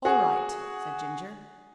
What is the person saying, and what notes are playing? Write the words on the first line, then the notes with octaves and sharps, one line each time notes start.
"All right," said Ginger.
F#4 G#4